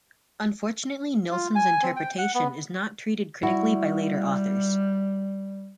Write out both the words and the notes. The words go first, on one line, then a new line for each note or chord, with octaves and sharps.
Unfortunately Nilsson's interpretation is not treated critically by later authors.
F4
G#5
C4
G5
F#5
B3
G3 E4 F#4